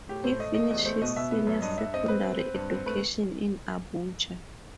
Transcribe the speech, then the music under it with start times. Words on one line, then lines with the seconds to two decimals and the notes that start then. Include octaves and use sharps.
He finished his senior secondary education in Abuja.
0.09 A2 G4
0.24 A2 C5
0.39 A3 D#5
0.54 A3 D#5
0.70 E2 D#5
0.85 A3 C5
1.02 B2 D#5
1.16 B2 E5
1.31 B3 E5
1.47 F#2
1.62 G2 D#5
1.78 G2 E5
1.94 C4 D#5
2.08 C4 B4
2.24 C4
2.39 C4
2.54 G2
2.71 C4
2.86 A3 B4